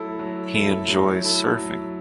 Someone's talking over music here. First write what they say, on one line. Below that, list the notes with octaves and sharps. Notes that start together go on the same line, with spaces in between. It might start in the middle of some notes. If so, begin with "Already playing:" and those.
He enjoys surfing.
Already playing: F#3 A3 E4 A4
F#3
A3 E4 A4
F#3
A3 E4 A4
F#3